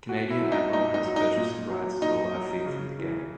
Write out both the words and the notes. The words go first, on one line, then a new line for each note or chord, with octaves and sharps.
Canadian Admiral has purchased the rights to the live feed from the game.
A#2 F#4
E4
F#3
D#4
A#2 D#4
D#4
F#3
D#4
A#2
F#3
A#2 D#4
F#3
C#3
E3